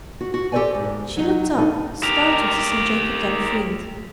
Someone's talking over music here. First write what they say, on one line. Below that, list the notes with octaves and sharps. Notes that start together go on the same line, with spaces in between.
She looked up, startled, to see Jacob Delafield.
F#4
F#4
G4 A4 B4 C5 D5 G#5
G#2
F#3 D#4
B2 D4 D#4 A4
G4 A#4